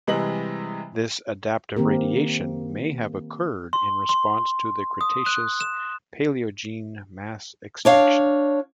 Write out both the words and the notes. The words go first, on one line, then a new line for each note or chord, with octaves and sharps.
This adaptive radiation may have occurred in response to the Cretaceous-Paleogene mass extinction.
C3 E3 G3 G#3 D#5 F#7
D#3 A#3 C4 G4 A#4
C6
C6
D#6
F#6
E7
D4 C#5 F5